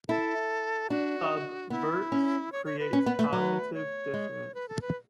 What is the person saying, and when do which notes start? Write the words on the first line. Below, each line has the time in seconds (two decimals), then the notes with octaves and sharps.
Subverts create cognitive dissonance.
0.08 E4 A4
0.90 D4 F#4
1.70 B3 E4
2.12 C#4
2.52 C#5
2.66 C#5
2.79 B4
2.93 C#4
3.06 B3
3.19 A3
3.33 F#3
3.74 C#5
4.14 G#3
4.54 B4
4.68 A4
4.81 B4